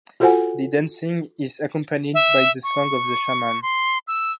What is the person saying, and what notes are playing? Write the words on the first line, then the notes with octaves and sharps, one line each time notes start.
The dancing is accompanied by the song of the shaman.
F4 F#4 A4 C5 F#5 G#5
E5
C#6
C6
E6